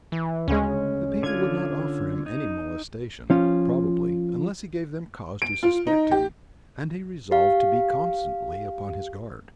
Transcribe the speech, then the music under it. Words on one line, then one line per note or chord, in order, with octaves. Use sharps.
The people would not offer him any molestation, probably, unless he gave them cause to suspect him, and he resolved to be constantly upon his guard.
E3
D2 C#3 G#3 C#4
D3 F4 G#6
D#4
F3 C#4 F4
D7
F4
D#4
G4
G4 F5